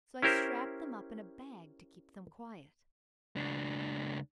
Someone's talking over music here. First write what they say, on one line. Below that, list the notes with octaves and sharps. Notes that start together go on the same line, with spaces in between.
So I strapped them up in a bag to keep them quiet.
C#4 E4 G4 A#4 C5
C#2 D4